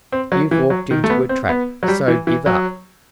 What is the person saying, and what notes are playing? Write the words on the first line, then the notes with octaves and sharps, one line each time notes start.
"You've walked into a trap, so give up."
C4
F#3
E3
F#3
D#3
A3
B3
C4
B3
F#3
G3
E3
E3
F#3